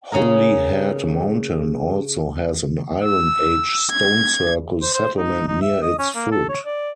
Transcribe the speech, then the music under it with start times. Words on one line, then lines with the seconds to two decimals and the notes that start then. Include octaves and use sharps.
Holyhead Mountain also has an Iron Age stone circle settlement near its foot.
0.12 C#3 C#4 G#4 A#4
3.04 E6
3.91 G#6
4.82 C5
4.93 C5
5.18 D#4
5.48 D#4
5.62 E5
5.82 D#5
5.99 C#4
6.15 A#3
6.32 A4
6.49 C#5
6.66 D5